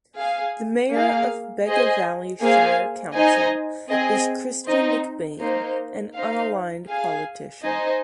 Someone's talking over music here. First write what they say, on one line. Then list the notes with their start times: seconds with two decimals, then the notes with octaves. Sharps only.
The Mayor of Bega Valley Shire Council is Kristy McBain, an unaligned politician.
0.17 G#4 F5 G#5
0.92 A#3 G#4 F5
1.66 G#4 C5 D#5 G#5
2.40 A#3 G#4 C5 F5 G#5
3.15 D#4 C5 D#5 G#5
3.90 C4 G#4 D#5 G#5
4.65 C4 D#4 C5 D#5
5.39 A#3 D#4 C5
6.14 D#4 C5 F5
6.88 G#4 F5 G#5
7.63 D#4 C5 D#5 G#5